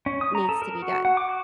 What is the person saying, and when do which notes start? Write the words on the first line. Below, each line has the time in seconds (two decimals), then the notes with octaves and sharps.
needs to be done.
0.06 C#4
0.21 D#6
0.35 A#5
0.49 A4
0.62 A#4
0.82 F#4
1.05 F#5
1.17 D6
1.29 F#4